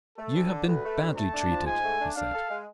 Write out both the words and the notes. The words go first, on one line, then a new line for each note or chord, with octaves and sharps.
"You have been badly treated," he said.
A3 A4
D2
D3
D2 B4
A3
D2
A3 A5
D4
F3
G#2 G#5
A3
D4
D4 F5
A4
G#3